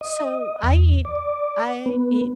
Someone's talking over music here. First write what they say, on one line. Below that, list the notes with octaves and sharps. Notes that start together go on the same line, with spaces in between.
So, I eat I eat
D#5
E2
D5
B3